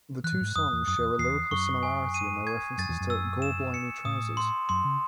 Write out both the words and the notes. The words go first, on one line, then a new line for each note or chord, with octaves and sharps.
The two songs share a lyrical similarity in their reference to "gorblimey trousers".
E3 F#6
A2
G#2
F#2 D#6
E2
F#2 D#6
E2
E2 C7
F#2 C#6
G#5
D#7
G#6
F#2 A6
E2
F#2
E6
E7
C#7
A2 D#6
C6
F#2 C6
C#3